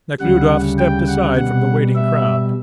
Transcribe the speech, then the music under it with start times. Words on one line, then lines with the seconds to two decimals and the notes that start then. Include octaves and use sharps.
Nekhludoff stepped aside from the waiting crowd.
0.20 D2 C#3 G3 F#5
0.78 G5
1.08 F#5
1.36 B2 G3 F#5
1.95 E5